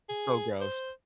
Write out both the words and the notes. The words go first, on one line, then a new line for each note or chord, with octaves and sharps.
So gross.
G#4
C5